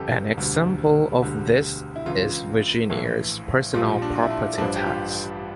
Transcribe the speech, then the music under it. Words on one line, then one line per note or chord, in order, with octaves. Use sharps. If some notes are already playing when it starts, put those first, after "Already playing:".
An example of this is Virginia's personal property tax.
Already playing: G1 F2 C#3 G3 G4 A4
E1 D2 D3 G3
E1 D2 D3 G3
E4
C#2 C#3 E3 F4
A#1 A2 E3
A#1 A#2 G3 F4
D4
F4
E4
D4
A1 G2 F3 D4
G4
F4